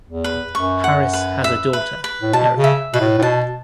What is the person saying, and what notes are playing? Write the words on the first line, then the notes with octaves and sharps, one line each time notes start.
Harris has a daughter, Erika.
E2
B4
F#2 C#6
F#5
B4
E5
B4
B4
A2
B2 A5
C#3
E5
B2 B4
A2
A2
B2 A5